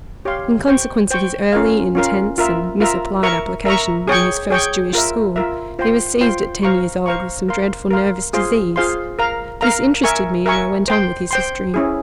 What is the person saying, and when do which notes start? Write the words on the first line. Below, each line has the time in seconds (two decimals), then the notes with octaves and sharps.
In consequence of his early, intense, and misapplied application in his first Jewish school, he was seized at ten years old with some dreadful nervous disease; this interested me, and I went on with his history.
0.25 G4 C#5 F5 C6
0.68 C5 G5 C#6
1.11 C5 G5 C#6
1.52 C#4 F4 A#4 F5
1.95 C#4 F4 A#4 F5
2.38 F4 A#4 E5 A#5
2.80 F4 A#4 E5 A#5
3.23 A#4 E5 A#5 C#6
3.65 A#4 E5 A#5 C#6
4.08 G#4 C#5 G5 C#6
4.50 G#4 C#5 G5 C#6
4.93 F4 A#4 E5
5.36 F4 A#4 E5
5.79 F4 C5 G5 C6
6.21 F4 C5 G5 C6
6.63 C5 F5 A#5 C#6
7.06 C5 F5 A#5 C#6
7.48 A#4 F5 C6
7.91 A#4 F5 C6
8.33 F4 G#4 C5 F5 C6
8.76 F4 G#4 C5 F5 C6
9.19 A#4 F5 A#5
9.61 A#4 F5 A#5
10.03 A#4 E5 G#5 C#6
10.46 A#4 E5 G#5 C#6
10.88 C5 G5 C6
11.31 C5 G5 C6
11.74 C#4 E4 G#4